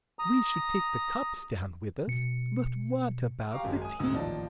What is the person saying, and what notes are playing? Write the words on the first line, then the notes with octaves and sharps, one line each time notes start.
"We should take the cups down with us: but what about the tea?"
A#5 D#6
B2 C#7
G4 F5 A#5 C#6 D6
G#1 F#2 G#3
G#5 D#6
D2 G#2 D#6 E6
A1 D#2 F3 D#4 D5 A5